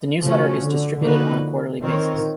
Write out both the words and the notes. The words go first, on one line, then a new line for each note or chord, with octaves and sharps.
The newsletter is distributed on a quarterly basis.
C#3 F3 A3 C#4 F#4
D3
D3 F3 A#3 D#4 F#4 B4
D#3 C4 F4 A#4 C#5